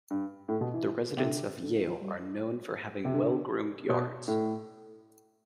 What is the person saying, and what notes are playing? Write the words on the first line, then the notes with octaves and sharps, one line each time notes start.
The residents of Yale are known for having well-groomed yards.
G2
A2
B2
E3
C3
D3
D3
E3
F3
G3
C3
D3
B2
A2